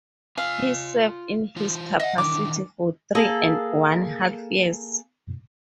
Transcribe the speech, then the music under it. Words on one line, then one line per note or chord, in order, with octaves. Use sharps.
He served in this capacity for three and one half years.
F4 F5 G#5
E3 F4
D#5 E5 F#5
D#3 E3 D4 D6
A#3 G#4 A4